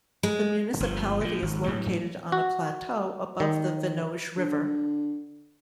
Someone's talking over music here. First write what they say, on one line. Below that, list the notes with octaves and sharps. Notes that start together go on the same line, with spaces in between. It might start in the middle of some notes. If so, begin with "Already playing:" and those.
The municipality is located on a plateau above the Venoge river.
G#3
G1 F3
A#2 F3
G#1
A2 F#3 G3
F#4
D#3
D3